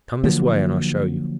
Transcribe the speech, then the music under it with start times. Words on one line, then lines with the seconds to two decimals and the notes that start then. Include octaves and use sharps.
Come this way and I'll show you.
0.24 D3 F3 F#3 A#3